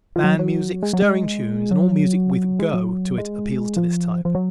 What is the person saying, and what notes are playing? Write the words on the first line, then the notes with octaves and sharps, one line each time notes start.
Band music, stirring tunes and all music with "go" to it appeals to this type.
F3
F#3
F#3
G#3
F#3
G#3
F#3
G#3
F#3
G#3
F3
F3
F#3